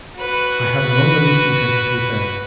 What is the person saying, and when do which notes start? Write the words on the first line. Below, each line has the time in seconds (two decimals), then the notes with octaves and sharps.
I have none the least intention to offend.
0.18 F#4 B4